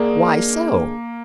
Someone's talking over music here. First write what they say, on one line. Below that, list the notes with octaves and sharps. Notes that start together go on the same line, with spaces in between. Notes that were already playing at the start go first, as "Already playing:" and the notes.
"Why so?"
Already playing: D3 G#3 A#3 D4 G#4